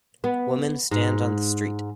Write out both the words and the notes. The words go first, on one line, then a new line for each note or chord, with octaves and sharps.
Women stand on the street.
B3
G#2